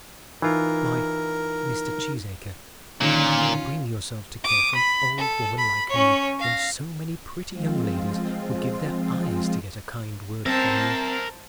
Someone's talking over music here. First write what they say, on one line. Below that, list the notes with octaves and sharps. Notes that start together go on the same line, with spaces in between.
"Why, Mr. Cheesacre, how can you bring yourself to care for an old woman like me, when so many pretty young ladies would give their eyes to get a kind word from you?"
E3 D#4 F4 A#4
A#2 D3 D#3 C#4 D#4 F4
D6 D#6
B5
A4
B5
C#4 C#5
F5 A#6
F3 G#3 C4 F4
C4 A#4 C5 E5 A5